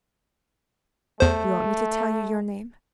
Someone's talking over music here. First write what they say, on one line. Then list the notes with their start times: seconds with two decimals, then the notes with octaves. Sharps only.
Do you want me to tell you your name?
1.20 E2 A3 C5